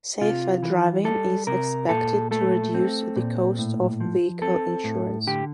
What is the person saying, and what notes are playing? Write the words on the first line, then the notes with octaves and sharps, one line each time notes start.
Safer driving is expected to reduce the costs of vehicle insurance.
C3 F4
E3
G3 A4
C3 A#4
A#2 A4
A3 A4
C4
A#2
A2
F3
C4 A4
A2
D3 G4